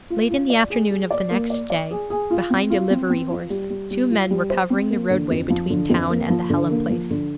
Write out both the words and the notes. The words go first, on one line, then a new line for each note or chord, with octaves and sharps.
Late in the afternoon of the next day, behind a livery horse, two men were covering the roadway between town and the Hallam place.
F4
F4
D5
G#4
G#4
D5
A#3
D5
D5
G#4
G#4
F4
C4
F4
C4
C4
F4
G3
G3
G3
F4
G3
C5
C4
A#3
D3
F2
F3
D3
F2
A#3
F3
D3
A#3
F3
D3